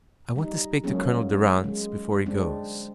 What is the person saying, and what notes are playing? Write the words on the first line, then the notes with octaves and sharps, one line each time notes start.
"I want to speak to Colonel Durrance before he goes."
G3 D#4
F#3 G#3 A#3 C#4 G#4
G#3
G#3 C4 D4